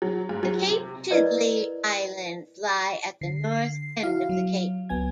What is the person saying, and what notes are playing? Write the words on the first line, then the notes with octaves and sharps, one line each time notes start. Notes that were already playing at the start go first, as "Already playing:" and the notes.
The Cape Chidley Islands lie at the north end of the cape.
F#3
G#2
F#3
C3
E4 A#4 B4 D5 D#5
D3 C7
E4 F#4 F5
F#3
C#2 F#3 B3 G#5 G#6